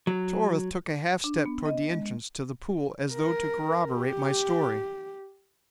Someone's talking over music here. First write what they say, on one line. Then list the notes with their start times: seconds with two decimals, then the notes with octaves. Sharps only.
Torith took a half step toward the entrance to the pool as though to corroborate my story.
0.07 F#3
1.24 D4
1.46 B3
1.66 D#5
1.93 G#3
3.13 A#4
3.93 G4